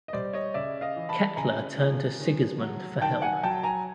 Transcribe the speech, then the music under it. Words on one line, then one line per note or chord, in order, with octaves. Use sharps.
Kettler turned to Sigismund for help.
D#5
G3 C5 D5
C#5 D#5
C#3 D5 E5
D#5 F5
E3
A5 B5
C#3 G#5 A#5
F3
D#3
F#3
D#3 G5 A5
F#5 G#5
F#3 G5 A5
G#5 A#5